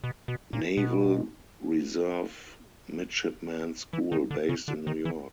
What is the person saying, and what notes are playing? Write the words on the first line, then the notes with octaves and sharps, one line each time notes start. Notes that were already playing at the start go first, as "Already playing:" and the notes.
Naval Reserve Midshipmen's School, based in New York.
B2
B2
A#2
B2
E3
D#3
D3
C#3
D3
D#3
E3